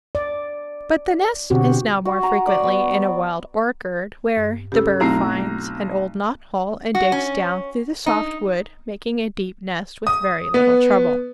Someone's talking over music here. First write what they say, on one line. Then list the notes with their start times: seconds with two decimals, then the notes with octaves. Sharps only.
But the nest is now more frequently in a wild orchard, where the bird finds an old knot-hole and digs down through the soft wood, making a deep nest with very little trouble.
0.15 D5
1.50 B2 D3 C4 F#4 G4
2.05 F#4
2.23 A#5
2.47 D5
2.63 B3
2.91 B3
4.37 G2
4.72 C#3 G4 A4 E6
5.00 B1 A3 C4 E4 A#5 C7
6.95 F#4
7.12 C#4
8.06 D#4
10.07 D#6
10.54 B3